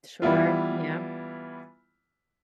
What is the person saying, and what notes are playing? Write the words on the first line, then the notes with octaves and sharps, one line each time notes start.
Sure, yeah.
E3 G3 B3 E4 F4